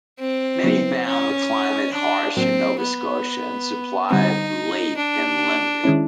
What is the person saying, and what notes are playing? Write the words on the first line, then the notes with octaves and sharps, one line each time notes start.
Many found the climate harsh in Nova Scotia, and supplies late and limited.
C4
C#3 F#3 B3 E4
C#4
D4
A2 F#3 A#3 C4
B3
D3 G3 C4 D#4
D4
D#3 G#3 C#4 E4